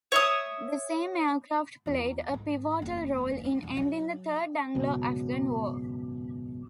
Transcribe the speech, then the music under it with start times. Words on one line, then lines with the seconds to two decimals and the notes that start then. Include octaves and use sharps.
The same aircraft played a pivotal role in ending the Third Anglo-Afghan War.
0.12 C#5 E5 D#6
1.86 E2 F4
2.30 G#2 D#3
2.82 F#1 E2
3.45 D4
3.63 E1 F2
3.77 F#3
4.74 G#1 C#2 F#2 B2